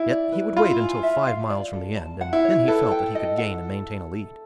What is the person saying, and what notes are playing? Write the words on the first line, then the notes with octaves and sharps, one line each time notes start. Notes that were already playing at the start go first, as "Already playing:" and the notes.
Yet he would wait until five miles from the end, and then he felt that he could gain and maintain a lead.
Already playing: E4 G5
D5
B4
F4 B5
G#5
E5
F5
D5
A4
A5
F#5
E4
C#5
A4 B4
G5
D#5
F#5